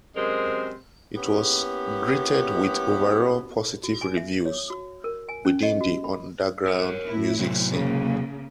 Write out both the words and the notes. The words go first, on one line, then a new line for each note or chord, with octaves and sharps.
It was greeted with overall positive reviews within the underground music scene.
F#2 C3 G#3 A#4 C5
A#3 B3 C#4 E4 G4
F#4
G#5
E5
C#5
F#4
A#4
G#5
C#4
D#5
F#4
B5
A#4 C#5
A2 E4
C3 F#3
C#3 A#3